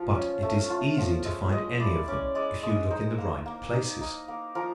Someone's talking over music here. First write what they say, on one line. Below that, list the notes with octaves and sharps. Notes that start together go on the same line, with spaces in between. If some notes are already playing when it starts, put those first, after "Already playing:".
But it is easy to find any of them if you look in the right places.
Already playing: F3 F4
C#4
A3
F4
F3
G#3 E5
G#3 D#5
E4 D5
C#4 D5
G#3 D5
G#3 D#5
D#4 C5
A#3
A#3
D#4
D#4
A#3
F3 A#4